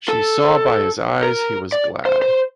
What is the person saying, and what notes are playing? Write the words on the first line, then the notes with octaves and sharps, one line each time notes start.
She saw by his eyes he was glad.
A4
A#4
D5
C5
C5